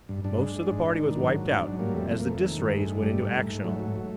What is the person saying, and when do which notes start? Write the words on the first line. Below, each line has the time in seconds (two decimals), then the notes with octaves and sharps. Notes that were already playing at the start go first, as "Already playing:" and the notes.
Most of the party was wiped out as the dis rays went into action on them.
0.09 G2
0.24 G2 D4
0.39 G#3
0.56 G#3
0.71 G#2
0.86 G#2
1.02 D#3
1.18 F#3
1.33 G#2
1.48 G#2 D4
1.63 F#3
1.79 G3 A#3
1.94 F2 A3
2.09 F2 A3
2.20 A#3
2.26 F2 A3
2.42 D#3
2.57 G2
2.71 G#3
2.87 G2
3.03 G3 A3
3.18 G#2
3.33 G#2
3.49 G#2
3.64 F#3 A3
3.80 F#3
3.96 F#3